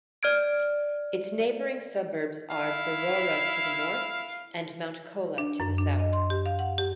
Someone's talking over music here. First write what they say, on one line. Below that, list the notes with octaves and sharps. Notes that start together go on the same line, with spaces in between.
Its neighbouring suburbs are Berowra to the north, and Mount Colah to the south.
D5 F6 G#6 D7
E4 F5
D4
F#2
D4
D#5
C6
G4
F5
F#5
G4